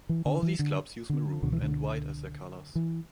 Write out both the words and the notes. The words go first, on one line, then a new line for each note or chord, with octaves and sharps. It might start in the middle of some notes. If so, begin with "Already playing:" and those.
All these clubs use maroon and white as their colours.
E3
D3
E3
D3
D3
C#2 B2 D3
E3
D3
E3